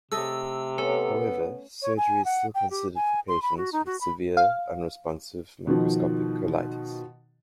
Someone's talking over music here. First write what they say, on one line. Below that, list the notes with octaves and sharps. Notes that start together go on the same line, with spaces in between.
However, surgery is still considered for patients with severe, unresponsive microscopic colitis.
C3 A3 A4 D#5 E6
B3 C#4 A4
C#5
G#5
F#5
G5
G4
G#5
C6
B5
F#4
D#4
F#4
B5
F5
B2 D#3 F3